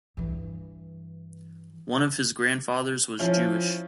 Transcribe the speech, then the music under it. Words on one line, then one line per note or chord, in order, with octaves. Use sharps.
One of his grandfathers was Jewish.
G2 E3
F3 C#4 E4 F4